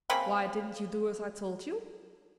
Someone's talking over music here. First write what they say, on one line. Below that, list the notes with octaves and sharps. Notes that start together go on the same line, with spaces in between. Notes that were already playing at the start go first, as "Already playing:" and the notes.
"Why didn't you do as I told you?"
C#3 A#3 C4 B5